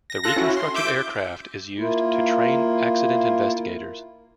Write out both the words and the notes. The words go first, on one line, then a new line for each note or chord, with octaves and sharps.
The reconstructed aircraft is used to train accident investigators.
A#6
F4 A4 F#6 A#6
C#4 E4 F#4
C6
E5 D6 G6 D7
A#3 E4 F4